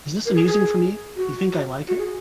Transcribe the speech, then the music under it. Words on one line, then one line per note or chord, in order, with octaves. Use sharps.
Is this amusing for me? You think I like it?
A#4
G#4
G#4
F#4
F#4
G#4